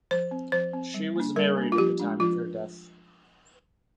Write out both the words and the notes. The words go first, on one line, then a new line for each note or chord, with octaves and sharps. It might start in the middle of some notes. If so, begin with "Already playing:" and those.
She was married at the time of her death.
F3 C5
C4
F3 C5
C4
G3
A#3 D4
G3 A#4
A#3 D4
F4
F3 G4
G#3 D4
F3 F4